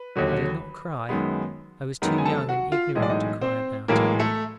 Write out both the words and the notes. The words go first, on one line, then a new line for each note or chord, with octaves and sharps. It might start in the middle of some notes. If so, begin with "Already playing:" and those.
I did not cry: I was too young and ignorant to cry about it.
Already playing: B4
D#2 D3 F#3
F#2 D#3 G#3 B3
F#2 D#3 G#3 B3 A#4 A#5
G#5
A4 A5
F#4 F#5
F4 F5
B1 A2 E3 G#3 D#5
D5
D#4 D#5
C4 C5
B1 A2 E3 G#3 A#3 A#4
A3 A4